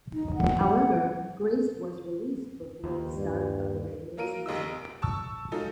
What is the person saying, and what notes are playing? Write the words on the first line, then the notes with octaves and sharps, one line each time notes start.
However, Groce was released before the start of the regular season.
D#4
F#5
D#2
G2
F#3 A#3 F4 A#4 D7 D#7
F1 D#2 D#5 E6
D7
A5 C#6 E6
F#3 G#3 D#4 F4 A4